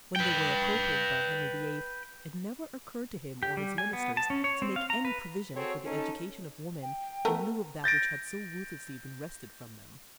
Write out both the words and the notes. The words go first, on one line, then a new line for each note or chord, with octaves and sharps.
When they were appropriated by Henry VIII, it never occurred to him or his ministers to make any provision for the education of women in lieu of that which had so ruthlessly been wrested from them.
B4 G5
G4
G3
G#5
B3
A5
C#4
C#5
C4
F5
A#5
B4
C4 F#4 G#4 A4 C#5
C#4 D#4 A4
G5
A3 B3 A#4
G6 A6 A#6 D7